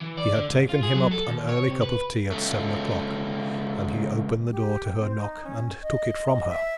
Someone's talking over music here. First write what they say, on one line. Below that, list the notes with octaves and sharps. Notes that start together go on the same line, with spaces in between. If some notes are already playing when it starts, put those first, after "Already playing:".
She had taken him up an early cup of tea at seven o'clock, and he opened the door to her knock, and took it from her.
E3
D5
D3
G#2
F4
G#4
F#3
A4
D#2
C#5
C3
B4
C#2 A3
G4
C4
D#4
C#4
D#5
E5